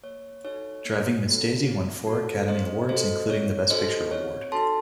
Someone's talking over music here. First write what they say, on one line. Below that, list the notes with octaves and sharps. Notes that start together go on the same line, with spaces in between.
"Driving Miss Daisy" won four Academy Awards, including the Best Picture award.
A#3 C#5
D#4 F#4 A4 C#5
A#3
D#4 F#4 A4
C4
F#4 A4
C4 C5 D#5
F#4 A4 C5 D#5
C4 C#5
D#4 F#4 A4 C5 D#5
C4 C#5
D#4 F#4 A4 A5 C6